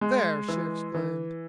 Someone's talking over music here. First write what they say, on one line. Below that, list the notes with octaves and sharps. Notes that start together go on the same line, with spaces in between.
"There!" she exclaimed.
G#3
E3
E3